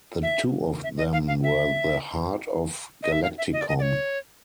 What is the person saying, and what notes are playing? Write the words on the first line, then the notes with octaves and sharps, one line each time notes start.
The two of them were the heart of Galacticomm.
E5
E5
D#5
F5
F5
E5
D#5
E5
F5
E5
D#5
D5
D#5
D5
C#5